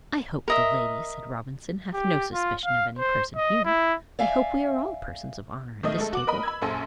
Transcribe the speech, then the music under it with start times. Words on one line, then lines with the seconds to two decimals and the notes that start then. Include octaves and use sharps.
"I hope the lady," said Robinson, "hath no suspicion of any person here. I hope we are all persons of honour at this table."
0.48 A#4 D#5 E5
1.94 G4
2.33 F4
2.64 F5
2.98 C5
3.36 D#5
3.65 E4
4.19 D5 E5 F5 G#5
5.83 D#3 A3 D#5
5.97 G#3 A3 A4
6.13 F#4 D6 F#7
6.27 A#4 B4 D#5 B5
6.43 B5 E6 G#6
6.62 A#1 F#2 A4 G#5 C6